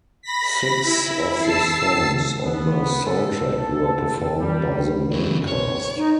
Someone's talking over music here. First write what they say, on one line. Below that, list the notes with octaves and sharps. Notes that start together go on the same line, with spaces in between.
Six of the songs on the soundtrack were performed by the main cast.
B5 A#6 B6
E4
A5 E6 C7
B3
A4
G3
F#2 E3
C#5
D#4